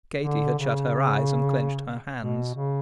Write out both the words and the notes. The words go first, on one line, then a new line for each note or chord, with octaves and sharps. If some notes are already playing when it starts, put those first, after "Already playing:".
Katie had shut her eyes, and clenched her hands.
D3
C#3
B2
C#3